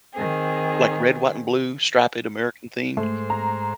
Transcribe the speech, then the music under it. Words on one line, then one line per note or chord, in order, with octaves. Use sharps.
like, red, white, and blue, striped, American themed.
D#3 C4 G#4
G#2 A3 C5
A#5